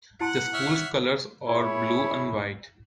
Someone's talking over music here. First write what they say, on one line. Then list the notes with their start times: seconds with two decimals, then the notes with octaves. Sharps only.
The school's colors are blue and white.
0.20 E4 F#5 A5 C6
0.54 C#5 E5 F6
1.47 E4 G#4 C#5 B5